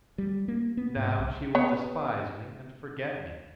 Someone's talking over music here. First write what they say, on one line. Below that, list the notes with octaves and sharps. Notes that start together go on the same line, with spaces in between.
Now she will despise me and forget me.
G3
A#3
B3
G#2
B1
B3 C#5